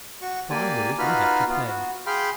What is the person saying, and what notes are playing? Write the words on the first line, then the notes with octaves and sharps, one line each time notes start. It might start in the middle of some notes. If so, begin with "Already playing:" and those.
If I lose I have to pay.
F#4 C#6
A#3 G4 D5 G#5
D#4 F4 F#4 B4 B5 F6
B3 F4
F#4
G#4 F5 G5 B5 C6 F6